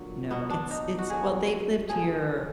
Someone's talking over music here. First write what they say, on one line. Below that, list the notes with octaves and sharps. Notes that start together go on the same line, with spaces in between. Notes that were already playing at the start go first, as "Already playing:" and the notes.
No, it's it's Well, they've lived here,
Already playing: A#2 D3 F#3
B2 F#3 B3
D4
D#4
F#4
D3 F#3 G#4
D3 F3 G#4